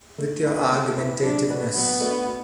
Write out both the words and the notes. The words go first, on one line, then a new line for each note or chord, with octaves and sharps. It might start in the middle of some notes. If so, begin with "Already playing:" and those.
With your argumentativeness.
A3
E4 B4
A3 A4
E4 B4
F#3 D4
A3 D4 F#4 B4
F#3 B3
A3 D4 F#4 B4
B2